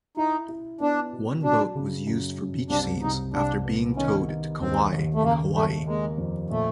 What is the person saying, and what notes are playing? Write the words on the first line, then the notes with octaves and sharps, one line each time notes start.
One boat was used for beach scenes after being towed to Kauai in Hawaii.
D#4 E4
E4
B3 D4
B2
F#3 D4
C#3
F#2
F#2
C2 D4
C2 D#4
C2 D4
B3
D#3 C#4
D#3
D#2 C4
D#2
A3
C#3 A#3
A3 A#3
G#3 A#3
F2
A#2 A3